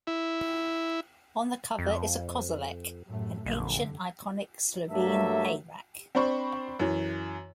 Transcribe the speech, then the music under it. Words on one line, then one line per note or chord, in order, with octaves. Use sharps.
On the cover is a kozolec, an ancient iconic Slovene hayrack.
E4
F2
F#2 A2 A3
F1 A#1 F#2 D3
G2 F#3 A3 A#3 A4 E5
C4 D4 C5 B5 C#6
F#2 E3